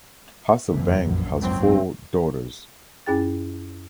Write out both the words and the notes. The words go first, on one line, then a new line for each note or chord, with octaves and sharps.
Hasselbaink has four daughters.
F#1 F2 E3
A#1 F#2
F#1 C#2 G#2 F#3 C4
F#2 C#4 E4 G#4 G5 A6